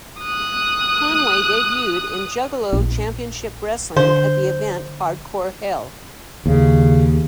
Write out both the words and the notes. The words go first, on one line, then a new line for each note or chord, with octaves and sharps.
Conway debuted in Juggalo Championship Wrestling at the event Hardcore Hell.
D#6 F#6
A#1
D3 C5
D#2 C#3